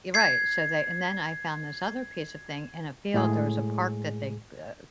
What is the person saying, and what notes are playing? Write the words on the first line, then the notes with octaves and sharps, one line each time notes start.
You're right. So they And then I found this other piece of thing in a field. There was a park that they, uh,
G#6 C7
A2 G#3 G#4